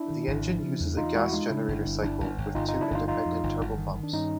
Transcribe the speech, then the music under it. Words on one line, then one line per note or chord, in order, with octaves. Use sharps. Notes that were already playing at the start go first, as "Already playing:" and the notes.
The engine uses a gas generator cycle with two independent turbopumps.
Already playing: D4 E4
D#3
G#1
F3
C#3
E2
E2 D#4 F4
G#3 E4 F#4
G#3 D#4 F4
C#3 D4 E4
G1
G1
G1 D4 E4
G1
G1
G1 D#4 F4
C#3 D#4 F4
D4 E4
G1 D#4 F4
F2 D#4 F4
F2
G1
G1
D#3
D#3
D4
G2 C#4 D#4